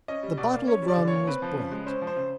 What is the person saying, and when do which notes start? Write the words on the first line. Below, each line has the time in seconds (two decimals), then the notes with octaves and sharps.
The bottle of rum was brought.
0.08 C#4 D#5
0.23 G3
0.37 B2 D5
0.53 A#3
0.67 C#4 C#5
0.82 G3
0.88 D5
0.97 D3
1.08 A#3 C#5
1.27 C4 B4
1.42 F3
1.57 C#3
1.72 G#3
1.86 C#4 C5
2.02 F3
2.07 C5
2.16 C#3